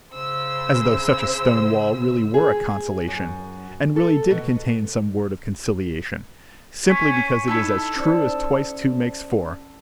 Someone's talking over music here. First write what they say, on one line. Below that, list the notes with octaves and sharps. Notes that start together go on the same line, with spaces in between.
As though such a stone wall really were a consolation, and really did contain some word of conciliation, simply because it is as true as twice two makes four.
C#3 C5 E6
G#4
F#2
A4
B2
C#4 B6
D#4 E4 A4 E6
C#4 C5 D5